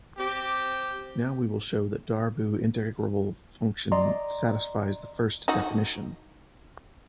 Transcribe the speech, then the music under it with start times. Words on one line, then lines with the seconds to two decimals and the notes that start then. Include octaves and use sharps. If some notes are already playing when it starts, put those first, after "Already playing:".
Now we will show that a Darboux integrable function satisfies the first definition.
0.18 C4 G4
3.92 D5 D#5 A#5 C6
5.48 D#4 F#4